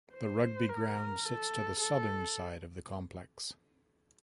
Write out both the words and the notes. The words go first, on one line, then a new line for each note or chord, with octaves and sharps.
The rugby ground sits to the Southern side of the complex.
C5
A#4
A4
A4